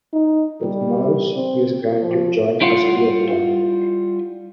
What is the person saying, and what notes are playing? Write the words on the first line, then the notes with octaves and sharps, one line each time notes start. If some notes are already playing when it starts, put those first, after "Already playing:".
With Maurice, he was granted joint custody of the town.
D#4
G3
C4
F3
G3 E4 F4 F5 F#5